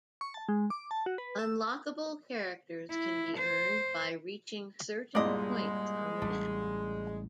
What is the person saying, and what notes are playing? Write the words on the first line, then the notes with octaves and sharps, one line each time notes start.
Unlockable characters can be earned by reaching certain points on the map.
C#6
A5
G#3
D6
A5
F#4
B4
E6
E4
C5
C2 G2 A#2 G#3 D5 D#5
A1 G3 D4